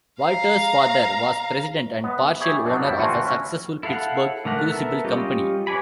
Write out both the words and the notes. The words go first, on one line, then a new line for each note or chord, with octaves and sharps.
Walter's father was President and partial owner of a successful Pittsburgh crucible company.
F5 A#5
B3 D#5
E4 G4 G#4 C#5 D5 E5
B2 F#3 D4 D#4
F#2 D3 G3 E4 A5
D3 E3 A3 C4 F4 F#4
C#4 E4 F#4
E4 A4 F5 F#5
D3 A3 A#4 F#5
B3 A4 A#4 E5
G3 C#4 F4 G4 D#5
B4 C#5 D5 G#5 B5